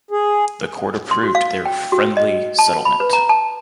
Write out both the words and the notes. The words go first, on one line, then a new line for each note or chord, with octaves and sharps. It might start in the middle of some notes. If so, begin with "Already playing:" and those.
The Court approved their "friendly settlement".
G#4
C6
F#4
F5
G5
F#4
D#5
A5
B5
B4
A#5
A5